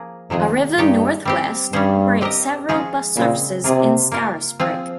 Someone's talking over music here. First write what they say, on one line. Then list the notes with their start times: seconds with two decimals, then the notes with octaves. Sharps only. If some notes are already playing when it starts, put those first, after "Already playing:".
Arriva North West operate several bus services in Scarisbrick.
Already playing: F3 A#3 G#4
0.30 F2 C3 D#3 G#3 D#4 G#4
0.77 G2 G#3 D#4 G4 C#5
1.25 G3 C4 G4
1.73 G2 G3 C#4 G#4 C5
2.21 C4 G4 A#4 D#5
2.69 F3 G#3 C#4 F4 G#4
3.16 A#2 C#3 G#3 C4
3.64 C3 A#3 F4 G#4
4.12 A#3 F4 A#4
4.60 F3 C4 F4 G#4